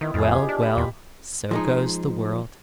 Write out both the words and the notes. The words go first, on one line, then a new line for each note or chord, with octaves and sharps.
Well, well! so goes the world!'
D#3 B3 E4 D#5
F2 F4 G#4
G4
D4
B5
E2
F3 G#3 D#4